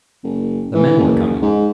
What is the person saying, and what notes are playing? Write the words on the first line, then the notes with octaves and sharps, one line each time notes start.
The men were coming!
F#1
E3
F#1
G#2